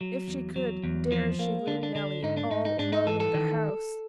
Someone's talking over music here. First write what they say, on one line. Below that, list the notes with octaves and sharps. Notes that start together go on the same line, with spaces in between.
If she could, dare she leave Nellie all alone in the house?
F#3
E2
F#3
E2
F3
A#3
D3 D4
D4
D3 D4
G#2 D#4
D4
G#2 D#4
D#4
G#2 D4
D#4
E3 A4
A4
D#3